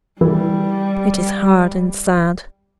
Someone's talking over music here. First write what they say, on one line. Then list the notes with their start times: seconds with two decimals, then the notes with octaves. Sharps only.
It is hard and sad.
0.21 E3 G3